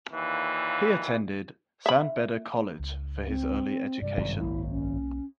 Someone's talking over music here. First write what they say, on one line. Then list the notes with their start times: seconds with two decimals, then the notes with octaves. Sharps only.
He attended San Beda College for his early education.
0.13 D#2 A#2 E3
1.86 E5 B5
2.79 C#2
3.28 C4
4.02 G2 C3 G3 D5
4.17 G#1 F#2
4.39 B1 A#3 E4
4.71 C#4